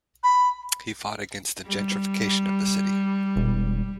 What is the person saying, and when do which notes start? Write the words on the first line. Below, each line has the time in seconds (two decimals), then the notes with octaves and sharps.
He fought against the gentrification of the city.
0.24 B5
1.66 G3
3.36 E1